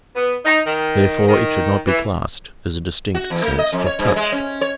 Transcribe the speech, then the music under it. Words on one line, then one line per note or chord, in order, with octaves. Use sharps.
Therefore it should not be classed as a distinct sense of touch.
B3
D#4
D#3
D#3
E3
F#4
E2
A3
D#5
F2
C#5
G2
G#3
C#4
C#5